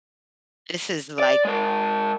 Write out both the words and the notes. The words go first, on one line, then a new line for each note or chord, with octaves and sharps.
this is, like,
D5
G#3 A#4